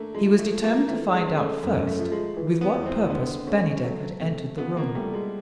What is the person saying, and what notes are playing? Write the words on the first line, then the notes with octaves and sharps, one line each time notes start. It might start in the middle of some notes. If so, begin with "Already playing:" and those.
He was determined to find out, first, with what purpose Bennydeck had entered the room.
Already playing: A3 A#3 D4
F3 G#3
A3
F3
A#3
E3 A3
G#3
C#4
A3
F#2 A3
A3
F3
G#3
E3
B3
E2
C4
D3 B3
A3 C#4
F#3 A3
C3 A3
B3 F4
A#3
G3 A3
G#3